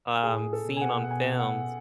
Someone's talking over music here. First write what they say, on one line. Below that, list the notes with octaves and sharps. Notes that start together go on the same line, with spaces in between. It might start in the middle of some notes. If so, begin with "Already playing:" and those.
um, seen on films.
A2 G#4
A4
B2
G#5
F#5
F#5
G#5
F#5